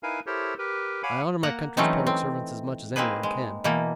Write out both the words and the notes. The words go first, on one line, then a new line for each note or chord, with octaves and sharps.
I honor my country's public servants as much as any one can.
D#4 E4 A#4 B4 F5 G#5
E4 G4 A4 A#4 C5 C#5
G4 A#4 B4
C#5 F5 F#5 G#5 B5 D6
A#3 F#5 A#5
E3 F#3 A3 C4 C#4 D#4
C4
A#3 C4 D#4 G#4 B4
G#3
B2 E3 A#3